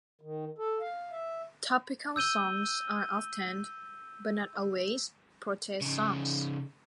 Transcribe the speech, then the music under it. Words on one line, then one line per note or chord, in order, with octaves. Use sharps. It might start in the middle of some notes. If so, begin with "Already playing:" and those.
Topical songs are often, but not always, protest songs.
D#3
A4
F5
E5
E6 G6 D#7 G7
C#3 D#4